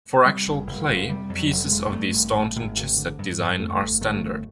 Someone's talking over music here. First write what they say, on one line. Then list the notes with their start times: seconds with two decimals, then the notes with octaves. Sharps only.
For actual play, pieces of the Staunton chess set design are standard.
0.25 C3 G3
0.46 F1
0.66 F1
0.88 F1
1.09 C3 G3
1.30 F2
1.37 F#3
1.50 F1
1.65 G#3
1.71 F1
1.92 G2 A3
2.13 G#1
2.35 G2
2.55 G#1
2.76 G#1
2.97 D3
3.18 G2
3.39 G2
3.59 F2 A3
3.81 G1
4.01 G1 A3
4.23 F2